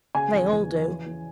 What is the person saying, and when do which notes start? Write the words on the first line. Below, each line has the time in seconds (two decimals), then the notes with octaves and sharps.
They all do.
0.15 C#3 G#5
0.33 E2
0.51 E2
0.69 F3
0.88 E3
1.06 E3